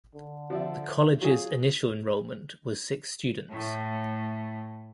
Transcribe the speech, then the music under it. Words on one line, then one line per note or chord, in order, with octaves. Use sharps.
The college's initial enrollment was six students.
D3
F3 D5 E5
F#3 F4 G#4
A2